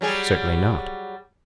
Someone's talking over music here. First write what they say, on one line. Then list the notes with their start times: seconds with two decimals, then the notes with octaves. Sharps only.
Certainly not.
0.01 F#3 G3 G#4